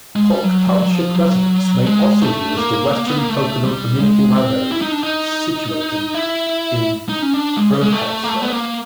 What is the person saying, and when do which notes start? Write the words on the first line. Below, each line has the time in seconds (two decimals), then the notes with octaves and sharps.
Polk Township residents may also use the Western Pocono Community Library situated in Brodheadsville.
0.16 G#3
0.30 G3
0.43 F#3
0.67 F#3
0.83 F#3
0.91 F3
1.15 F#3
1.86 G#3
2.22 A3
2.57 A#3
2.93 A#3
3.07 B3
3.18 A#3
3.29 A3
3.64 G3
4.00 G#3
4.36 C4
4.72 E4
4.82 D#4
4.92 D4
5.03 D#4
6.14 E4
7.09 D#4
7.22 C#4
7.34 D4
7.57 G#3
7.70 G3
7.81 G#3
7.92 A3
8.24 A#3
8.29 A3
8.42 B3
8.53 A#3